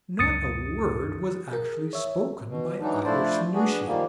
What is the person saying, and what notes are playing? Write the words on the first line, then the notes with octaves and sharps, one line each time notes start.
Not a word was actually spoken by either Sanusian.
C#2 F#2 D#6 A6 C#7
G#4 A#4
C#5 E5
B2
E3 F#3 G#3 D4 D#4
F3 A3 D4 E4 C5 D5
B3 D4 F#4 G#4
D#3 F3 G3 A#3